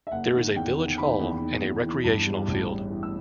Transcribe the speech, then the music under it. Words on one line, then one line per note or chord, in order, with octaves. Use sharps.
There is a village hall and a recreational field.
E5
F#1 F#5
D#3
E2 G5
D#3
D#3 B5
E2
D#3
E2
E3
G2
G3
A1
G2
E3
E6